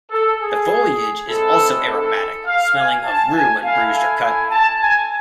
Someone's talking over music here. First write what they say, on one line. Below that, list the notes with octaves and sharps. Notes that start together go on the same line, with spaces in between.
The foliage is also aromatic, smelling of rue when bruised or cut.
A4
G#4
G#3 C4 E4 A4
A4
F5
G#5
A5
G#5
A3 E4 F5
G#5
G#5
A5
G#5